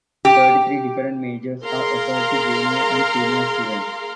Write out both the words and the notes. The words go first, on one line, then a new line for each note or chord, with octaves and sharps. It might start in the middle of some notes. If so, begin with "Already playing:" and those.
Thirty-three different majors are offered to junior and senior students.
G4
G#4 A#4 F5 A#5 C6